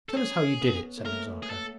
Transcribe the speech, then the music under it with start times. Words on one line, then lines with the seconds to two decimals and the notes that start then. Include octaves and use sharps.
Tell us how you did it!' said Nazarka.
0.09 A4
0.17 C#4 G#4
0.61 B3
0.97 A#3
1.05 A3 A#4
1.42 G#4
1.50 A4